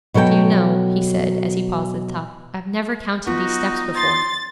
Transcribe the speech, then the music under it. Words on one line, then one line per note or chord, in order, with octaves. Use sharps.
'Do you know,' he said, as he paused at the top, 'I've never counted these steps before.
B2 F#3 A4 A#4 G5
B3 D#4 F4 F#4
C6 A6